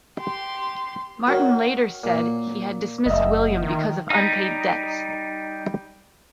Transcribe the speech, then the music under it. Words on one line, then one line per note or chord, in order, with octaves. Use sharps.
Martin later said he had dismissed William because of unpaid debts.
G4 C6
D#3 F#4 C#5
A#2
F#1 D#5 E5
D#3
G3 D#4